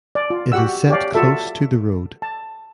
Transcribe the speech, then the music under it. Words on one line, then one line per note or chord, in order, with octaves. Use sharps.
It is set close to the road.
D5
F4
F#4 G4 F#5 E6
G4 C#5 D5 F5
F4 F#4 A4 E5
A5